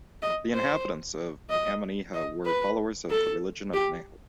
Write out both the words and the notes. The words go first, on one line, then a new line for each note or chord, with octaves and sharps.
The inhabitants of Ammonihah were followers of the religion of Nehor.
D#5
C5
D#5
D#5
B4
A4
G4